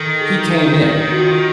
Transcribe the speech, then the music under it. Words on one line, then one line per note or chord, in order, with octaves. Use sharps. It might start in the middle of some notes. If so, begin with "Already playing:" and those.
He came in.
Already playing: D#3 A4
G#4
G4
F#4
F4
F#4